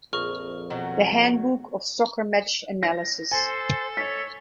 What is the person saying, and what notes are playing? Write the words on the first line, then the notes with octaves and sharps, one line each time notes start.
The Handbook of Soccer Match Analysis.
A#1 F2 G#4 A#5 C#6 F6
B2 D#3 F#3
A#6
A4 C5 G#5 A6
C#5 B6